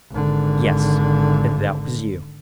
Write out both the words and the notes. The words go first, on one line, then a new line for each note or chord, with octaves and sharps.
"Yes; and that was you!"
G#1 D3